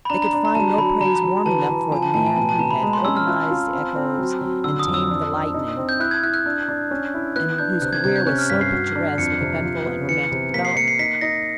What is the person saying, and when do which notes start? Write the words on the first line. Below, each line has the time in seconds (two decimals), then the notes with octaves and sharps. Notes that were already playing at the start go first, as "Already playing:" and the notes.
They could find no praise warm enough for the man who had "organized the echoes" and "tamed the lightning," and whose career was so picturesque with eventful and romantic development.
0.05 B5
0.10 D4 A#5
0.22 A#5
0.33 D4 A#5
0.45 A#5
0.55 F#3 A5
0.78 F#3 B5
1.01 F#3 A#5
1.24 F#3
1.46 E3 A5
1.69 E3
1.91 F3 G#5
2.03 A5
2.14 A2 A5
2.26 G#5
2.37 B2 A5
2.49 A5
2.59 B2 A#5
2.71 B5
2.83 G#3 A#5
2.93 C6
3.05 C#4 E6
3.17 F6
3.28 F4
3.50 F4
3.73 C4
3.96 C4
4.19 F#3
4.41 F#3
4.64 D3 E6
4.79 D#6
4.87 F2
4.94 E6
5.09 D4
5.32 D4
5.54 D#4
5.77 C4
5.89 G6
6.00 E4 F#6
6.11 G#6
6.23 E4 F#6
6.34 F#6
6.46 D4
6.68 D4
6.91 C#4
7.14 E4
7.36 B3 F#6
7.58 D4 G6
7.82 C3 F#6
7.93 G#6
8.04 C3 G#6
8.16 G6
8.27 C#4 F#6
8.38 F6
8.50 G2 B6
8.61 C7
8.72 F#4
8.95 D4
9.18 F2 C#7
9.41 C3
9.63 F3
9.86 B3
10.09 E3 C#7
10.32 C3
10.54 A#3 B6
10.65 C7
10.76 A#3 C#7
10.88 C7
10.99 D#4 B6
11.21 D#4 A#6